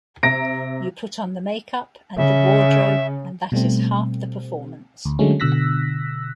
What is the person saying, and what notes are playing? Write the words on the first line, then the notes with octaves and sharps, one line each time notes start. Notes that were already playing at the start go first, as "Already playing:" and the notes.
You put on the makeup and the wardrobe, and that is half the performance.
C3 E5 A#5 A#6 D7
C#3 E5
B2 G3 A3 C4
D2
D3 F#3 G#3 A3 C#4
B2 D3 E6 F#6 A#6 B6